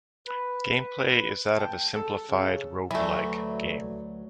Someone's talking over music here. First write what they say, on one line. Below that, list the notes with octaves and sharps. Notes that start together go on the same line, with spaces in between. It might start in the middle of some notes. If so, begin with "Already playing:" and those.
Gameplay is that of a simplified roguelike game.
B4
G5 A5
A4
C#3
D2 E3 F#3 A3